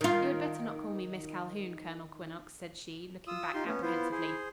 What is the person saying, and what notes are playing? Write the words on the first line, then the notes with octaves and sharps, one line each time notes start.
"You had better not call me Miss Calhoun, Colonel Quinnox," said she, looking back apprehensively.
D#3 F4
F4 D#6 E6
D#4 F4 G4 C6
A3 B3 C#4
B3 E4 F4 C5
G#4 C5